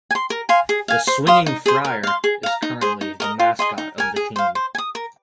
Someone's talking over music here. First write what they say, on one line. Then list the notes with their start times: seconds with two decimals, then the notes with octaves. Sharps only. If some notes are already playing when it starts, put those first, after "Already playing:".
The "Swinging Friar" is currently the mascot of the team.
0.11 G#5
0.15 C6
0.30 A#4
0.49 F5 G#5 C6
0.69 G#4
0.88 F5 G#5
1.07 C5
1.27 F5 C6 D#6
1.46 D#4
1.66 G#4 C5
1.85 A#4
2.03 F5 C6
2.24 G#4
2.43 F5 A#5
2.62 D#4
2.81 G#4 C5
3.01 D#4
3.20 A#4 D#5 A#5
3.39 F4
3.59 G#4 D#5 C6
3.78 D#4
3.98 A#4 G#5
4.16 G#4
4.36 C5 F5
4.55 C5
4.75 G#5
4.78 D#6
4.95 A#4